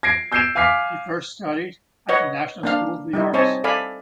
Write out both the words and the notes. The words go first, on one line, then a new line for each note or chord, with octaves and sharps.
She first studied at The National School of the Arts.
G#6 A#6 C7 D7
E6 G6 G#6 C7 D7 E7
F5 G#5 D6 F6 B6 C7
B4 C#5 D#5 F#5
A#3 D4 F5
G3 D#4 E4
C4 C5 C#5 D#5 G#5 A5
A4 D5 F5 G#5 B5